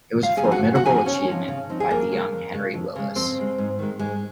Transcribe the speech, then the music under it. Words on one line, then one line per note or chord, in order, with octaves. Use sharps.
It was a formidable achievement by the young Henry Willis.
C#3 F4 F5
G#4 G#5
F3 C4 D#4
F#4 F#5
C#3
F#4 F#5
F3 C4 D#4 G#4 G#5
C#3 C#4 C#5
F3 C4 D#4
C#3
F3 C4 D#4
G#4
F2 A#3 A#4
C#3 G#3
F2
C#3 G#3
F2
C#3 G#3
F2 C4 C5
C#3 G#3
G#2
D#3 G#3
G#2 G#3 G#4